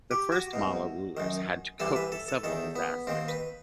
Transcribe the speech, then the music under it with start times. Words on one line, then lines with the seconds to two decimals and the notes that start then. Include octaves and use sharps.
The first Malla rulers had to cope with several disasters.
0.11 G4
0.32 F#4
0.53 C2 B2
1.17 F#2 D#3
1.80 C2 C3 E3 A4
1.96 B4
2.12 A4
2.28 A4
2.44 E2 D#3 A4
2.76 B3
3.07 D#2 D#3 C4
3.28 B4